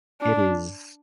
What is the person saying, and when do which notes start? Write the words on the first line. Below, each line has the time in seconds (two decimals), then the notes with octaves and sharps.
It is.
0.21 D4